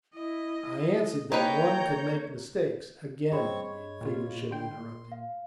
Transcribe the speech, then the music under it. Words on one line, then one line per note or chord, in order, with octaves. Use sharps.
"I answered that one could make mistakes," again Feversham interrupted.
E4 D#5
A#3 D#4 B4 C#5 G5 A#5 G6
G2 C4 G#4 C#5 D#5 B5 C#6
C#5
A#2 F4
D3 G5 C6
A#2
F5